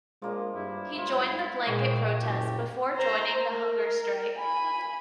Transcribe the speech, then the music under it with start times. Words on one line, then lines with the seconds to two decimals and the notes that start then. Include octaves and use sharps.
He joined the blanket protest before joining the hunger strike.
0.22 F3 G#3 A#3 D4
0.54 G2 E4
0.93 G1 G#3 E4 F4
1.67 A#2 G#3 A3 G5
2.20 F#1 G4
2.96 C5 A#5
3.50 A#4
4.38 G#5 B5